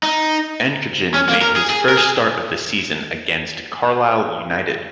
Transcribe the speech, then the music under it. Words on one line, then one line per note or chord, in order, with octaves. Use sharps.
Ankergen made his first start of the season against Carlisle United.
D#4
C#4
A#3
A#4
G#4
G#4
A#4
G#4